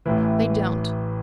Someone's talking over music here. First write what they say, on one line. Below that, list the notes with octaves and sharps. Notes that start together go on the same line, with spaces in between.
They don't.
A1 A2 E3